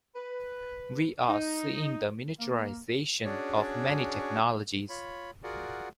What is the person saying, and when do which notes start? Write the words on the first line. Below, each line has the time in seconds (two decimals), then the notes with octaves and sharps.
We are seeing the miniaturization of many technologies.
0.16 B4
1.28 D#4
2.39 A#3
3.25 C#4 D4 F#4 G#4 C#5 D5
4.90 F4 C#5 B5
5.43 F4 F#4 G#4 A#4 D5 F#5